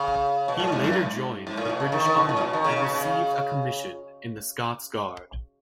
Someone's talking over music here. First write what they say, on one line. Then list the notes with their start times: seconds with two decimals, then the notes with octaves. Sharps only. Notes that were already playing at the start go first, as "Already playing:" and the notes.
He later joined the British Army and received a commission in the Scots Guard.
Already playing: C#3
0.48 B2
0.60 A2
0.72 G#2
0.84 F#2
0.96 G#2
1.47 G#2
1.57 A2
1.69 B2
1.80 C#3
1.92 D#3
2.05 D#3
2.17 B2
2.29 A2
2.37 C#3
2.41 B2
2.53 D#3
2.64 C#3
2.76 C#3
2.86 B2
2.95 C#3